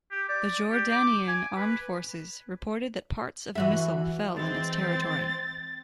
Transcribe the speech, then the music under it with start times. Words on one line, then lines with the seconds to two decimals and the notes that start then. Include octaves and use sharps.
The Jordanian armed forces reported that parts of a missile fell in its territory.
0.11 G4
0.29 D5
0.71 G4
0.92 D6
1.28 G#5
1.57 B4
3.55 E3 F#4 E5
4.37 E3 G#3 C4 A6